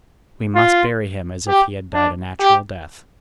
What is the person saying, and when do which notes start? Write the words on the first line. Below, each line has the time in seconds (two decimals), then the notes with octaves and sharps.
We must bury him as if he had died a natural death.
0.55 F4
1.47 G4
1.94 D4
2.40 G4